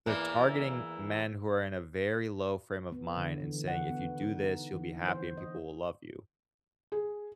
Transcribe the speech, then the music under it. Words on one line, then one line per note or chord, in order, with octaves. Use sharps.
They're targeting men who are in a very low frame of mind and saying, "If you do this, you'll be happy and people will love you."
E2 E3 A#3
B3
D3
E3
F#5
B3
D#4
E3
C5
D#5
G#4